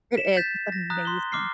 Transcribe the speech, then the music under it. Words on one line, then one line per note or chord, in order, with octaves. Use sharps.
It is, it's amazing.
B6 E7
G6 A6 B6
A#6
A#5 D#6 F#6
C6 G7
D6 F6 C7